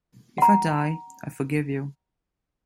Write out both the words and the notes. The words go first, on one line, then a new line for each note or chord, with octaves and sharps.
If I die, I forgive you.
F#5 A#5